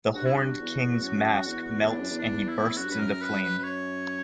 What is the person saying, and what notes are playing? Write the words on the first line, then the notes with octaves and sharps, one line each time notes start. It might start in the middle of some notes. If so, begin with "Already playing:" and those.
The Horned King's mask melts and he bursts into flame.
G2 F#4
E4
F#4
E2
F#2
E2
E4
E2 D4
F#2
E2
D4
E4
F#2 F#4
G2
F#2 B4
A#4
B4
B4
B4
C#5